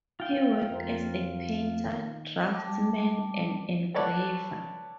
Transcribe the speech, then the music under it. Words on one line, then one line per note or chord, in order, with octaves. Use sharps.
He worked as a painter, draftsman and engraver.
F4 G5
F2 A#4 C5
D#3 A#3
G3 A5 D6
A4 B4 C#5 D5 F#5